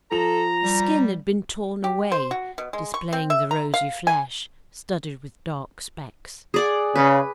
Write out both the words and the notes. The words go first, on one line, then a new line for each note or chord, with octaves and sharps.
The skin had been torn away, displaying the rosy flesh, studded with dark specks.
F3 A4 A#5 F7
G3
G4
C5
F#4
B2
G#3
C#6
C4
E5
A#5
F5
G#5
G#4 D5 F#5
C#3 B4